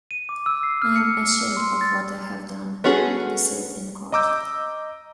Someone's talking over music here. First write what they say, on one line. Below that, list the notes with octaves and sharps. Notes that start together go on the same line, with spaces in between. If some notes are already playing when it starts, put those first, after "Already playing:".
"I'm ashamed of what I have done", Wheatley said in court.
D#7
D6
E6
C7
F6
C#7
C6
A6
B3 C#4 F#4 G#4 A4
D#5 A#5 D6 E6 G6